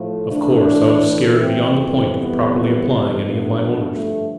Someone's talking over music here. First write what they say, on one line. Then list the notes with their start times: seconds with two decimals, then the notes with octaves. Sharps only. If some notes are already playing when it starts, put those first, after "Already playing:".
Of course, I was scared beyond the point of properly applying any of my orders.
Already playing: A2 F3 A3
0.31 A2 E3 A3 D4
1.39 C4
1.76 F2 E3 G3
2.12 B3
3.20 G2 D3 F3 A3 B3
3.94 A3